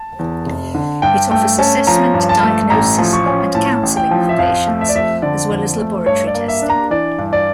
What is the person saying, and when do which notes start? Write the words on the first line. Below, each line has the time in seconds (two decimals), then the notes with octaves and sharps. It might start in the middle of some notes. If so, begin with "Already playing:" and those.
It offers assessment diagnosis and counselling for patients as well as laboratory testing.
Already playing: A5
0.19 E2
0.46 F1
0.75 D3
1.02 G2 G5
1.31 A3 G5
1.59 C#4 A5
1.87 F3 A#5
2.14 G2
2.29 A5
2.43 A3
2.70 A1 A#5
2.98 F3
3.13 C#6
3.26 C#4
3.55 A2 A5
3.83 A1
3.97 G5
4.11 F3
4.29 E5
4.39 F2 F5
4.67 A3
4.81 E5
4.89 D5
4.95 F2 E5
5.22 D3 D5
5.50 F2
5.78 A3
6.06 G2 C#5
6.27 D5
6.35 A#3
6.48 E5
6.62 D4
6.70 A#5
6.90 E3 D5
7.19 G2
7.33 D5